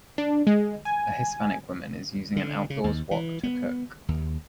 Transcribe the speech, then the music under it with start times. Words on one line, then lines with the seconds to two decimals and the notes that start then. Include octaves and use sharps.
A hispanic woman is using a outdoors wok to cook.
0.18 D4
0.47 G#3
0.85 G#5
2.36 D3
2.70 C#3
2.84 D#2
3.11 E3
3.43 B3
4.08 D#2